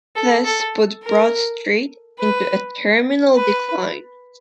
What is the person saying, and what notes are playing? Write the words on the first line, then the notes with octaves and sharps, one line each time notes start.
This put Broad Street into a terminal decline.
A4
A4
A#4
B4
B4